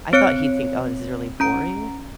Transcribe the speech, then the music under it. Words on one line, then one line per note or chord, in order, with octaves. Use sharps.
I thought he'd think, "Oh, this is really boring."
C4 C#5 F#6 C#7 D7
C#4 A#5 D7